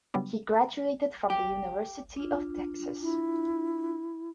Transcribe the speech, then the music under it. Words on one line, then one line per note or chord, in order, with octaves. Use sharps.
He graduated from The University of Texas.
C#3 F#3 G3 B3 D4
G4
D4 F4
E4